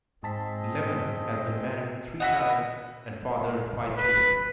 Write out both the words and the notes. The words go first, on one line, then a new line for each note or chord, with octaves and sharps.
Levin has been married three times and fathered five children.
G#2 C4 G#4 D#5 A5 B6
E4 F#4 D#5 F#5
B4